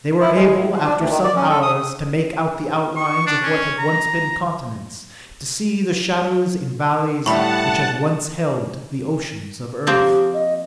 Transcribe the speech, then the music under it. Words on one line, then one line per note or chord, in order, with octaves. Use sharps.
They were able, after some hours, to make out the outlines of what had once been continents, to see the shadows in valleys which had once held the oceans of Earth....
E4
G#3
A2
F3
D4
D2
D#3
D5
C#4
A4
D#6
C#6
D4
C#4
A#5
A2 G3 E5 F#5 A5 B5 C#6
F3 A#3 C4 G4
D#5